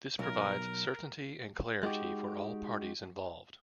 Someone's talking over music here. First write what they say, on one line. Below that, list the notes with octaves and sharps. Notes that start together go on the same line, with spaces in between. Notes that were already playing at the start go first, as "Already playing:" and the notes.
This provides certainty and clarity for all parties involved.
B1 A#4
G#3 D#4 F#4 G4